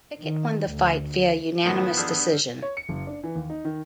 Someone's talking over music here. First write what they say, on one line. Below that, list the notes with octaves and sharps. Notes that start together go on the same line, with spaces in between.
Pickett won the fight via unanimous decision.
D#3
D2
F#2 A2 D#3 F3 B3 D#6 E7
G2 D4 G#4 E6 F6 G6
C#5
C#7
F#1
D4
E3
D#2
D#4
D#3